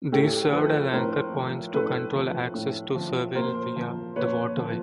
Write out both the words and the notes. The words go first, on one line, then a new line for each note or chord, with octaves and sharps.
These served as anchor points to control access to Seville via the waterway.
A2 G4 A4
F3 A4 B4
A2 A#4 C5
F3
A2 A4 B4
F3
A2
F3
A#2 A#4 C5
F3
A#2 B4 C#5
F3